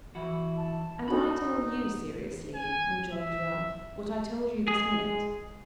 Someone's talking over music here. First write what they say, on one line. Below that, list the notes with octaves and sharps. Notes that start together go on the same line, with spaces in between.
'And I tell you seriously,' rejoined Ralph, 'what I told you this minute.
E3 E4 F#4
A5
D4 D#4 F#4 A4 B5
G#5
E5
G#3 G#4